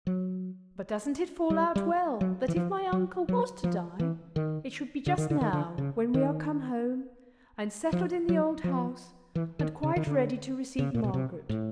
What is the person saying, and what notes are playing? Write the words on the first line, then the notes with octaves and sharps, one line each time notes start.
But doesn't it fall out well, that if my uncle was to die, it should be just now, when we are come home, and settled in the old house, and quite ready to receive Margaret?
F#3
G3
G3
F#3
E3
F3
F#3
F#3
F3
E3
D#3
D3
D#3
D3
D#3
D3
C#3
D#3
F3
F#3
F3
E3
D#3
C#3
D#3
D3
C#3
A#2
B2
C3
A2